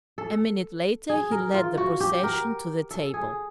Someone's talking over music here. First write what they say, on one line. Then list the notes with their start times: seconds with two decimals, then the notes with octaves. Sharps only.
A minute later he led the procession to the table.
0.18 A4
1.09 G#4
1.31 A#4
1.54 F4
1.77 F#4
2.00 G4
2.23 A#4
2.91 A4
3.14 G#4